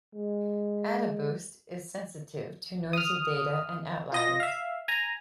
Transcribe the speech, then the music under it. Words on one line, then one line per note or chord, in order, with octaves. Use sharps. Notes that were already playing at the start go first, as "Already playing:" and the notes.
AdaBoost is sensitive to noisy data and outliers.
G#3
D#6 F6
F4 D#5 A#6
E5 F5
G#5 A#5